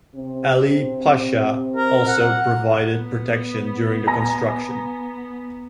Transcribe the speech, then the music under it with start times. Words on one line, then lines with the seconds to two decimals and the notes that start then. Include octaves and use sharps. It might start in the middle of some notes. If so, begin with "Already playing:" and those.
Ali Pasha also provided protection during the construction.
0.15 C3 C4
1.76 A#4
2.07 F#5
2.97 B3
4.07 G#5 A#5 A#6